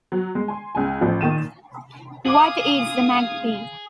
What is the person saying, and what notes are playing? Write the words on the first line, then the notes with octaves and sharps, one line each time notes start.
What eats the magpie?
F#3
G#3
G#5 C6
C#2 G#3 G#5
A1 F3
A#2 D#3 A6 D#7 E7
G#4 F5 D6 D#6 F#7